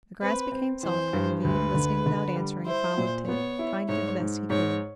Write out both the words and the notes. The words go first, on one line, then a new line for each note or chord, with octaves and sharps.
The grass became softer, and Levin, listening without answering, followed Tit, trying to do the best he could.
C4 B4
C4
E3 C5
G2
D2 B4
D3
D3
G3
E4 C5
A#2
B3 C#5
E4
G#2 C#5
G#2
G#2 C#5